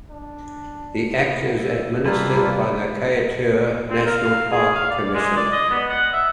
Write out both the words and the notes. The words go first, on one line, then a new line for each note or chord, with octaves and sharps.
The Act is administered by the Kaieteur National Park Commission.
D4
B3
E5
G3 A#3 F4 A4 B4 D5 B5
C4
A#4
F5
G#4
F5
D5
G#3
D5
D#5
B3
F#5
E5